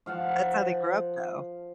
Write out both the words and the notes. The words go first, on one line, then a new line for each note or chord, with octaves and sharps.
that's how they grew up, though.
F3 F5 F#5 A5